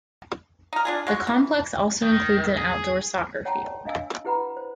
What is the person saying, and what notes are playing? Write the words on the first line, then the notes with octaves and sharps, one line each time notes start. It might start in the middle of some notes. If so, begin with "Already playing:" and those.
The complex also includes an outdoor soccer field.
D#4 A#4
D4 F4 G#4
G#3 F#4
E3
D#3
G#4
C#5 F#5 G5 A5 A#5 C6
D4 D#5 F5 G#5 E6
E4 G4 B4 F#5 A#5 B5
C5